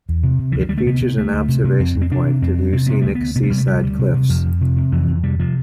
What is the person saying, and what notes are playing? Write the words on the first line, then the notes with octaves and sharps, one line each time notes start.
It features an observation point to view scenic seaside cliffs.
E2
C3
C3
D2 E3
F3
D2 G3
A3
C3 B3
C3
D2 A3
D2
C3
C3
F2 C4
F2
C4
C3 D4
C3
F2 C4
F2
C3 C4
C3 B3
D2 A3
D2 B3
C3 B3
A3
C3 G3
A3
D2 G3
D2
C3
C3
F2 F3
F2
C3
C3
F2 E3
F2
C3 G3
C3 F3